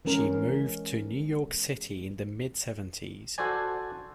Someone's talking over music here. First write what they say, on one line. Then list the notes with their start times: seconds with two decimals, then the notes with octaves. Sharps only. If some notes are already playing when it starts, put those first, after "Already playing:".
She moved to New York City in the mid-seventies.
0.05 E3 G#3 C#4 A#4
3.38 F#4 A4 C5 D5 G#5